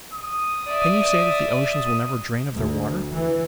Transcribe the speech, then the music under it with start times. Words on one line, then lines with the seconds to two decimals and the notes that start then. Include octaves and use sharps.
Can you say that the oceans will never drain of their water?
0.14 D#6
0.68 D5 E5
2.55 D2
3.12 E3